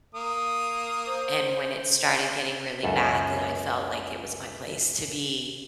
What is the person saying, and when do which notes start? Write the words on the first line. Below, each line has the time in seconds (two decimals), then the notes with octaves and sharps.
and when it started getting really bad, then I felt like it was my place to be
0.15 A#3 D#6
1.07 C5
2.83 C#2 F#2 A4 E5